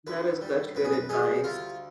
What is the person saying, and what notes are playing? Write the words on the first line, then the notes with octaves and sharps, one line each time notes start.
That is such good advice.
D2 B4
G3
B1 B4
G#4
B4
G3 G#4
D2 F4